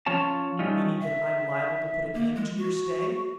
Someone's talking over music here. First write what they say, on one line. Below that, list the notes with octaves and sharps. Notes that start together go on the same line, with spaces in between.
"Meaning that I'm liable to put an end to your stay?"
F3 C#4 F4 C#5 A5
G3 A3 C#4 D#4 F4
E5
A#3
G#3
F#4